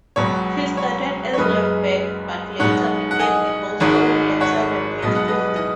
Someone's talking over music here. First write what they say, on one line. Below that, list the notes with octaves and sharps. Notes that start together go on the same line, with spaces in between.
He started as a left-back but later became a goal-scoring left-sided midfielder.
C#2 B2 F#3 C#5
C#5
C#5
F#1 F#2 C#3 G#3 C#4 B4 D#5
B1 B2 G#3 D#4 C#5 F#5
F#5
D#5 G#5
G#1 G#2 G#3 D#4 C#5 F#5
C#5 F#5
B1 B2 G#3 D#5
F#5
B4 D#5
D#5